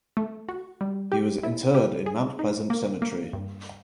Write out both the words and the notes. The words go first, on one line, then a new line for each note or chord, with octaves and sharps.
He was interred in Mount Pleasant Cemetery.
A3
F#4
G3
G4
E4
G4
G#4
D#4
A#3
A#3
G2